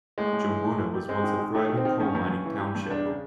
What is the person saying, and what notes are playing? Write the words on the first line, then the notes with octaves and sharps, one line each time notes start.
Jumbunna was once a thriving coal mining township.
A2 G#3
A2
E3
A2
E3
G3
G#3 C4
D#3
D#3
D#3 A3
D#3
C4
D#3
G2 C#4
G2
G2
E3
G3
G2
E2 D4
C#3